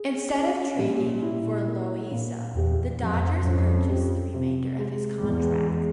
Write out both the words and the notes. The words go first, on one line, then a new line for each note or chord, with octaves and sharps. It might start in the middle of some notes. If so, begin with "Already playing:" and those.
Instead of trading for Loaiza, the Dodgers purchased the remainder of his contract.
Already playing: G#4
C#4
A#2 G3
E4
A#3
A#2
E2 G4
F2 G4
F2 C#4
G4
C3
G#3
E2 G#3
G#3